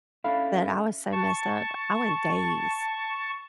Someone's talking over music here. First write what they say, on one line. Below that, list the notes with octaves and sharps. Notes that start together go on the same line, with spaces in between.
that I was so messed up, I went days,
C#4 D4 E4 A4 F5 B5
A5 C#6